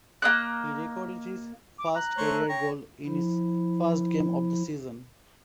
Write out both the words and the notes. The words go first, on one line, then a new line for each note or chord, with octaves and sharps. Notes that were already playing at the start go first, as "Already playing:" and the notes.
He recorded his first career goal in his first game of the season.
A#3 D#5 F#6
D6
A#5 F#6
A3 C5 C#5
C#5 G5 A#6
F3 E4